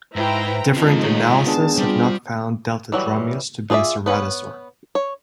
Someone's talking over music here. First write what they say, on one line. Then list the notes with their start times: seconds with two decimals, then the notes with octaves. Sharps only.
Different analyses have not found "Deltadromeus" to be a ceratosaur.
0.16 G#2 E4 B4 C5 G5 A#5
0.74 D#3 F3 G#3 C4 D#4 F4
1.03 F4 C#5
1.47 B3 D4 G#4 A5
1.78 G3 C4 F4
2.92 E3 F#3 G3
3.70 F4 G#4 C5 D5 E5
4.06 B3 B4 C#5
4.95 C#5